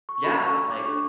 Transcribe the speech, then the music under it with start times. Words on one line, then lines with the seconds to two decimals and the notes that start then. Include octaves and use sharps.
Yeah, like
0.09 C#6
0.24 C#4 F#4 A4 B5
0.40 C#6
0.55 E6
0.70 D6
0.86 D4 A4 C#5 C#6